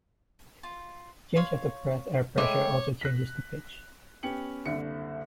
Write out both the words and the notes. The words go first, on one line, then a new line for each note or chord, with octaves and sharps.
Change of the breath air pressure also changes the pitch.
F4
C#5 F5 C6
G#3 A3 C#5 D#5 G5 B5 D6 F#6
F#6 A#6 B6
B3 C#4 G4 C#7 F#7
F#1 C2 D3 C#7